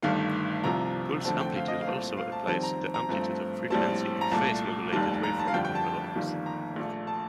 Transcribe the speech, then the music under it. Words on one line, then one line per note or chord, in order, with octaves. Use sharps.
Pulse amplitude also applies to the amplitude of frequency- and phase-modulated waveform envelopes.
G1 G2 D#3 A3 F5
C2 C3 F3 A#5
F2 D3 A3 C4 A5
G5
F5
D#5
F5
C2 A#2 A3 C4
F5
A5
F2 D#3 G3 C4 A5
A#5
A#5
G2 F3 A3 C4
A#1 A2 G3 C4 A5
A#5
C2 A#2 A3 A5
F1 D#2 D#3 G3 A5
A#5
A5
F5
G1 F2 D3 G3 G5
G5
A5
G1 F2 D#3 G3 A#3
A#5
A#1 A#2 A3
A5